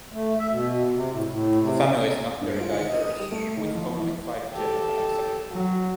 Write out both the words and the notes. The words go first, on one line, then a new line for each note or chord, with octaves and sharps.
The family is not very diverse, with only five genera accepted.
A3
E5
B2
C3
A2
A2
C3
G2
F4
D#3
D#5
D#6
G3
A3
D#3
F3
E3
G4 A4
F#3